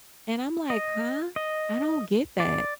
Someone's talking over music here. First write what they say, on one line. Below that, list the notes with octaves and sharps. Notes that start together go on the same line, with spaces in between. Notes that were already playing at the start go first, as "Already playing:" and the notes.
and I'm, like, "Huh?" I don't get that.
D#5
D#5
D5